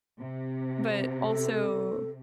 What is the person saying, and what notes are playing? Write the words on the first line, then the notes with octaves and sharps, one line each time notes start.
but, also
C3
A4